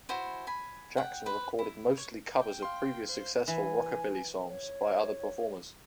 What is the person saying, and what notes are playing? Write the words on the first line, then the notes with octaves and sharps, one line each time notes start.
Jackson recorded mostly covers of previously successful Rockabilly songs by other performers.
E4 F#4 C5 G#5
G#5 B5
F#5 G5
B4 C5
E4
C#5
G5
F5 C6
C5
E3 G#5
C#5